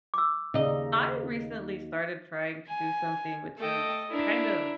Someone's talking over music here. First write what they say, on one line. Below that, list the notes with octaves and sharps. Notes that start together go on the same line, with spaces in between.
I recently started trying to do something which is kind of
D6 E6
D#2 C#3 D#4 D#5
G#5
A3 A4 D#5 G5
D4 E4 A#4